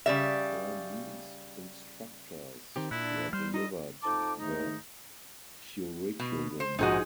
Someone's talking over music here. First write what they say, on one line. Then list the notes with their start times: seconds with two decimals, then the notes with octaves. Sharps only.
Burmese instructors were delivered the curriculum.
0.06 C#3 G3 E5
2.76 D#3 C4 G4
2.91 A#2 D4 E4 F#6
3.33 G3 C5 F6
3.54 D#4 F4 A4 D#5
4.03 F2 D#4 A5 D6
4.39 G#2 D#3 A3 D#4
6.20 B2
6.60 C5
6.79 A#1 G#2 D#4 F#4 G#4 D#5